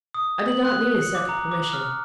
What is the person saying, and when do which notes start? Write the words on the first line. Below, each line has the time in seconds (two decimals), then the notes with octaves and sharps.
I did not need a second permission.
0.14 D#6
0.48 F#7
0.65 F#6
1.02 C#7
1.15 D6
1.29 A#5
1.51 D6
1.73 F6